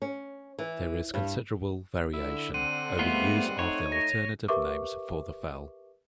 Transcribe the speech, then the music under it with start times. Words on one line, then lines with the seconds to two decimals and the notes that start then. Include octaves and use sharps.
There is considerable variation over use of the alternative names for the fell.
0.02 C#4
0.59 E3
1.14 G2
2.13 D3 E4
2.54 C4 F#5 D#7
2.99 G#2 G3 A3 B3 F4
3.59 A3 D#4 C#5
3.92 A#6
4.48 G4 A#4 B4 E5 C#6 D6